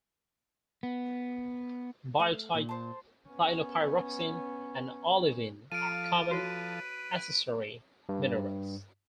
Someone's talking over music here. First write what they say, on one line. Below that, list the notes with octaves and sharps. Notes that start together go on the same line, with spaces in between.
Biotite, clinopyroxene and olivine are common accessory minerals.
B3
A3 F5 F#6
A#2
C5 A5
B3 C#4
F3 A4 F5 D7 D#7
F#4 B4 C#5
G2